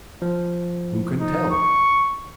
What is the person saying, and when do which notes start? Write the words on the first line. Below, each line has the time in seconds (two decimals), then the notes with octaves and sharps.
Who can tell?
0.22 F3
1.20 D#4
1.51 C#6